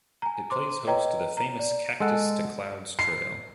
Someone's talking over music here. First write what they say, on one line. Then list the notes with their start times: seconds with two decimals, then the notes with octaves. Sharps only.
It plays host to the famous Cactus to Clouds Trail.
0.22 G#5 A#5
0.50 C5 C6 D6
0.87 B4 C#5 D#5 G5 A#5
1.37 A#5
1.59 D5
2.00 G#3 A4 F#5
2.99 C7